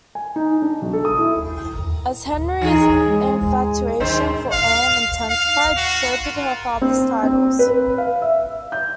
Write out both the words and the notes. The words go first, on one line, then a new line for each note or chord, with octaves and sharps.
As Henry's infatuation for Anne intensified, so did her father's titles.
G#5
D#4
D4
B1
A4
D#6
E4
E3 D#4 G#4
G#3
F#2 D#3 C5
F5
F5
F#4
F4
C4
C4
B4
F5
E5
G6